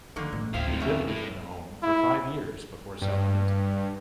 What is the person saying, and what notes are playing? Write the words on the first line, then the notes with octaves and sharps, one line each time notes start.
He lived within the home for five years before selling it.
D3 D#3 F3 A#3
A1
D2 F3 C4 E4 F5
F2 C3
E2 C#4 E5
A2
E4
G2